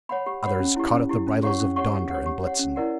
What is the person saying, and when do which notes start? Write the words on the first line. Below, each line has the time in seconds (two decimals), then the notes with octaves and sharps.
Others caught at the bridles of Donder and Blitzen.
0.09 C#5 F#5 B5
0.26 G4
0.43 C#5 F#5 B5
0.60 C#4
0.76 E4 G4
0.93 C#4
1.09 E4 G4
1.27 C#4
1.43 G4 C#5 F#5 C#6
1.60 C#4
1.76 G4 C#5 F#5 C#6
1.93 G4
2.10 C#5 F#5
2.26 G4
2.43 C#5 F#5
2.59 C#4
2.76 E4 A#4 D5 F#5